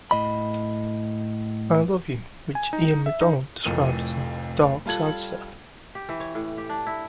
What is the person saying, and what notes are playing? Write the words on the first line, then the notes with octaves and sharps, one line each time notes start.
I love "you" which Ian MacDonald described as "a dark sidestep".
A2 D#5 B5
G#5
D#4
E5
D#4
F1 F2 A2 A#4 D#7
G3 F4 A4 G#6 F#7
G4
E3
C#5
A2
G4
D4
E4